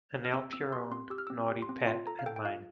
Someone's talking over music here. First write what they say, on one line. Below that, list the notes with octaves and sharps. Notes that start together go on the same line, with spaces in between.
And help your own naughty pet and mine.
F6
C4 E6
C4 E6
G4 C6
C4 C6
G4 E6
F6
E6
C4
G4
C6
C4
F4 C6
A4 A#5
F5
A4 G5
G5
F4 F5